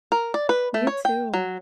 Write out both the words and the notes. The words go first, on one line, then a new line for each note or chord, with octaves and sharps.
You too.
A#4
D5
B4
A3
C#5
G5
F#3